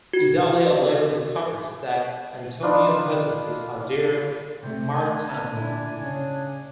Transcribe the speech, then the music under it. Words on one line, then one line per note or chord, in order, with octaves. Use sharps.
Idalia later discovers that Antonia's husband is her dear Myrtano.
F#4
D4 D#4 F4 B4
C3 A3 C5
D4 F5 G#5
A#2 D3 E4
C#3